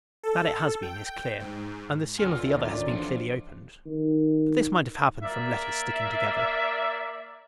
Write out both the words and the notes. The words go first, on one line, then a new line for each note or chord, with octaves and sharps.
That it has been, is clear: and the seal of the other has been clearly opened; but this might have happened from letters sticking together.
A4
G5
G#2
D2 F4 B4 C#5 G#5
C4 F4
E5
D#3 D4 C5 D5
D#3 C#4 D5
D#3 F3 A3 A#3 D4 C6
D#3
A#3 D5 E5